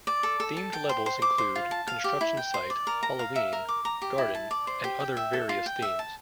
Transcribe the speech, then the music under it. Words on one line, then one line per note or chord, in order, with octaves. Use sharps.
Themed levels include: construction site, Halloween, garden and other various themes.
D5
A4
A4
A5
G5
C5
C5
D6
C5
F4
A5
F5
G4
E4
G5
C5
D5
A#4
A#5
F5
E5
A#4
D6
A#5
G4
E4
A5
D5
C5
G4
G5
E5
A4
F4
G5
E5
A5